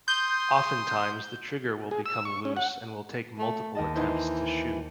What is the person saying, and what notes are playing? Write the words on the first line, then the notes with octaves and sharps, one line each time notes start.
Oftentimes the trigger will become loose and will take multiple attempts to shoot.
C6 D#6 G6
G#4
E6
C#6
C#4
F#5
A3
D#2 D#5 A5
E3 D#4 C5